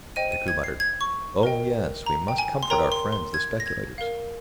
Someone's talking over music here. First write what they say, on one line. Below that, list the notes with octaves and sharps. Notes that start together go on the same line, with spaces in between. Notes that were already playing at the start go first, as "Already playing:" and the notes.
Decoud muttered, "Oh, yes, we must comfort our friends, the speculators."
C5 D#5 G5 D#7
D#7
G#6
C7
G#6
C#6
A#4 D#5 G5
A#5
G5
G#5
C6
A#4 C#5 G5 A#5
C6
C6
G#6
A#6
G#6
A#4 F5